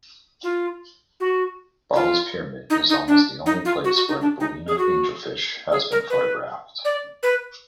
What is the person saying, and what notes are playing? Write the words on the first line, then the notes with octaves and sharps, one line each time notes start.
Ball’s Pyramid is almost the only place where the Ballina angelfish has been photographed.
F4
F#4
F4
D#4
D#4
D4
D#4
F4
F#4
F#4
D#4
D4
D#4
G#4
F#4
G#4
A#4
B4
D5
B4